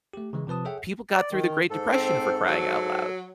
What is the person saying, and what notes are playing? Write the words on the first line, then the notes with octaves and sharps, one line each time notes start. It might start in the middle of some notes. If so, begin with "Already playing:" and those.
people got through the great depression for crying out loud.
A3 G4
C#3 E3 G#3
C3 F3 B4 A5 D#6
G#4 A4 C#5 E5 F#5 G5
D5
D#3
G#2 A4
C4
F#3